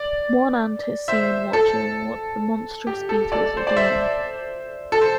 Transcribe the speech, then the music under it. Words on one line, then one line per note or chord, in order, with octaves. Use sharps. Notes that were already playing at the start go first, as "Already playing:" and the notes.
One ant is seen watching what the monstrous beetles are doing.
Already playing: D5
C5 E5
A4
G4
A4
A4 D5
C5
D5
C5 E5
A4
C5